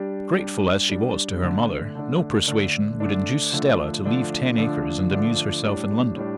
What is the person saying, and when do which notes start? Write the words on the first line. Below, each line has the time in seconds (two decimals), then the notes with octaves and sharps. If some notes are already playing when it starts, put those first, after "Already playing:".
Grateful as she was to her mother, no persuasion would induce Stella to leave Ten Acres and amuse herself in London.
Already playing: G3 D4 G4
0.37 G3 D4 G4
0.89 G3 D4 G4
1.42 D3 A3 D4
1.95 D3 A3 D4
2.47 D3 A3 D4
3.00 D3 A3 D4
3.52 D3 F3 A3 D4
4.05 D3 F3 A3 D4
4.58 D3 F3 A3 D4
5.10 D3 F3 A3 D4
5.63 A2 G3 D4
6.16 A2 G3 D4